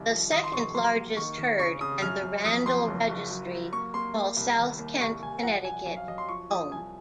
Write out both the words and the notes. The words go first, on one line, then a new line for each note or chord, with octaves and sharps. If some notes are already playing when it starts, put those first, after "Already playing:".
The second largest herd, and the Randall Registry, call South Kent, Connecticut home.
Already playing: C2 D#3
F3
D#3 D#6
C6
F1 C#6
F#3 C6
A#3
D#3 C#6
D#3
C#3 C#6
C#3 D#6
F#2 F6
F#2
F2 D#6
F2 C6
F#1
F#1
F#3
F#3
A#3 C#6
A#3 C6
A#3
C2
D#2
A#3
C2 C#6
C2 G#5
F3 F#5
A#1 G#5
F#2 G#5
F5
F#2 D#5
C6
F3 C#6
F3 D#6
C2 G#5